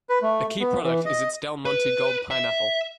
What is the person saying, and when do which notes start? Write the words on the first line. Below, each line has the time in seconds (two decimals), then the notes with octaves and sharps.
A key product is its Del Monte Gold pineapple.
0.09 B4
0.22 A3
0.60 B3
0.83 E3
1.05 D#5
1.65 B4
2.31 E5